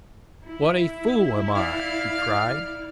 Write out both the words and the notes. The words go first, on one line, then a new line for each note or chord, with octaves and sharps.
"What a fool am I!" he cried.
E4
D5 F5